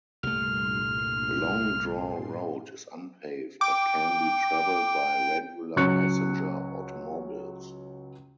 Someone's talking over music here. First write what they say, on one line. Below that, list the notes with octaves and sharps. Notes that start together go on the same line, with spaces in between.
Long Draw Road is unpaved, but can be traveled by regular passenger automobiles.
C2 G2 A#2 A3 C6 F6
G5 D6
C#2 F#3 C#6 F#6 C#7